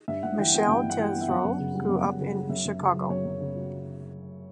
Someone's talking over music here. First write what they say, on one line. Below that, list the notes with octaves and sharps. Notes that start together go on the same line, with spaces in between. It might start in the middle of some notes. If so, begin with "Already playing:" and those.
Michelle Tesoro grew up in Chicago.
G2 E5
G2 F#5
E3 G5
B3 G5
G2 G5
G2
F#5
E3 G5
B3
E5
F#2 F#5
F#2
C#3
G3
F#2
F#2
C#3
G3
F#2 E5
F#2
C#3
F#3
F#2 C#5
F#2
C#3
F#3